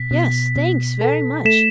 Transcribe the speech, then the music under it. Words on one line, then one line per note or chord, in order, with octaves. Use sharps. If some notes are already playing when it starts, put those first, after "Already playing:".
'Yes, thanks, very much.
Already playing: B2 B6
B2
B2
A4
A3 B6 E7